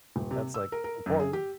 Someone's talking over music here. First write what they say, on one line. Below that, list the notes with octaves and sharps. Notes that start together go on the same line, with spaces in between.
that's, like, important.
D#1
C3
E6
A#4
A#4
F#2
G#4
G4